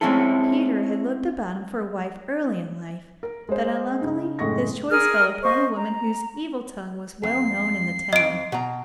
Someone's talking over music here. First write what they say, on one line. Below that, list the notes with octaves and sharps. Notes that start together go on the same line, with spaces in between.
Peter had looked about him for a wife early in life, but unluckily his choice fell upon a woman whose evil tongue was well known in the town.
G#3 A3 C4 C#4 E4 A4
A#4
G#3 C5
C#3 D#4
F#1 A2 G#3 D#5 C#6 A#6
G#4 A#4 F6
C5 D#5 C#6
A#5
F2 C7
F2 D#5 D7
B2 A#5